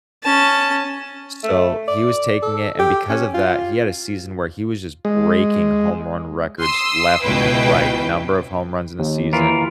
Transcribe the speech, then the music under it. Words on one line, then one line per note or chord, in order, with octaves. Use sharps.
So, he was taking it, and because of that, he had a season where he was just breaking home run records left and right, number of home runs in a season,
C#4 A5
A3
D5
A4
G4
C#4
F4
G#3
C6 D#6 E6
C#2 B2 E4 B4 G5
D#2
E3 F4 A#4